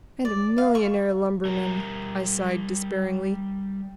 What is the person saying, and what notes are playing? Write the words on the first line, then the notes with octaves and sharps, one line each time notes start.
"And a millionaire lumberman!" I sighed, despairingly.
D5
F5
C#6
G3 A#4